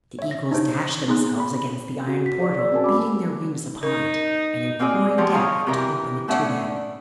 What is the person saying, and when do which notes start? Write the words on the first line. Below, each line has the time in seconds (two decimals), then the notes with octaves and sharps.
The eagles dashed themselves against the iron portal, beating their wings upon it, and imploring Death to open it to them.
0.19 C#5 E5
0.31 A#6
0.51 D4 D#4 G4 C5 C#5
1.07 B3 D#4 G#4 C6 F#6
1.40 B5
2.08 F#4
2.26 B6
2.40 G#4 D5
2.59 E6
2.72 C4 C#4 F#4 A#4 G#5 A5
2.84 B5 D6
3.83 D#4 A#4
4.79 A#3 C4 F#4 G#4 D5
5.18 F3 G#3 B3 G4 C#5
5.34 G#4 A#4 C#5 D#5 F5
5.66 C3 E3 G4 A#4 E5 A#5
6.28 A3 B3 C#4 D4 E5 F#5